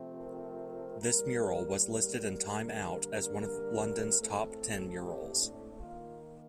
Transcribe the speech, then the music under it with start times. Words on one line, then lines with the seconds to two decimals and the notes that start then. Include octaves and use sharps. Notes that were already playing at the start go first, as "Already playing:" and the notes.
This mural was listed in "Time Out" as one of London's top ten murals.
Already playing: C3 F3 A3 C4
0.18 A#4
0.98 A2 G3 A#3 A#4
1.78 A#4
2.58 D3 G3 A#3
3.39 A#4
4.19 A2 A3 C4 A4
4.99 G4
5.39 D4
5.79 D#3 A#3 F4